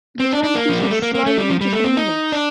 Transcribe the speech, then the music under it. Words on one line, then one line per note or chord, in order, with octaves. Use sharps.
The term is used with slightly different meanings.
C4
D4
D4
A#3
F3
G3
A3
A#3
A#3
A3
G3
F3
G3
A3
C4
D#4
D4